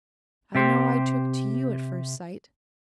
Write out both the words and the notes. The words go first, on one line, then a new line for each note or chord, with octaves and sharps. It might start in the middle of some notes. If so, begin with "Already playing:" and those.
I know I took to you at first sight!
C3 G4 C5